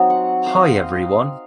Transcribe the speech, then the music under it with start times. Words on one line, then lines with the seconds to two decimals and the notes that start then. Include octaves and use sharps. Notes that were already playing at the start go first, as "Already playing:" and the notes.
Hi everyone.
Already playing: F#3 C4 D#4
0.10 F#5
0.47 F5
0.56 D#5
0.65 F5